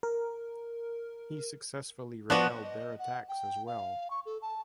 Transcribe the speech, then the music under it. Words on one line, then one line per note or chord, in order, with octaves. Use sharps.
He successfully repelled their attacks as well.
A#4
F3 B3 F#4 D5 F#6
D#5
F#5
G5
F5
C#6
A4
A5